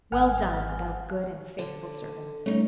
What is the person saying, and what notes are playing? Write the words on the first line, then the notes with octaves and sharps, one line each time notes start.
Well done, thou good and faithful servant!
G#1 F#5 G#5 F6
D3
G3 A3 C#4 D#4